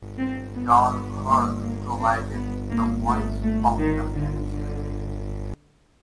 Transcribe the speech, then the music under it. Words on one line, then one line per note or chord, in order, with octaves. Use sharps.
John Hurt provided 'The Voice of The Ministry'.
C4
B3
B3
A#3
A#3
C4
B3
A#3
A3
A3
D#3
D3
D3